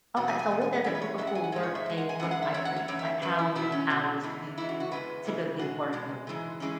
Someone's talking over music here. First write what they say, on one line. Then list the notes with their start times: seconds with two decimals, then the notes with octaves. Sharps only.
Okay, so what does a typical workday look like for you? Like, how many hours do you typically work in a week?
0.16 E2 B2 F#3 F#4
0.28 G#5
0.39 G#5
0.51 E2 B2
0.61 G#5
0.74 F#5
0.84 F#2 E3 G#3 C#5
0.95 B4
1.02 C#5
1.18 F#2 E3 G#3 E5
1.27 F#5
1.35 G#5
1.44 F#5
1.52 G#2 C#5
1.56 G#3
1.63 C#5
1.75 E5
1.86 G#2 G#3
1.98 F#5
2.09 G#5
2.20 F#2 E3 G#3 F#5
2.31 F#5
2.42 E5
2.54 F#2 E3 C#5
2.65 F#5
2.76 C#5
2.88 F#2 E3 C#5
2.99 E5
3.22 F#2 E3 B4
3.39 E4
3.55 B2 F#3 E4
3.72 C#4
3.90 B2 F#3
4.23 E2 E3 G#3
4.58 E2 E3 G#3 E4
4.69 F#4
4.80 F#4
4.91 E2 C#3 E3 G#3 B4
5.25 E2 C#3 E3 G#3
5.59 B2 G#3 F#4
5.93 B2 G#3
6.27 G#2 E3 G#3
6.60 E3 G#3 C#4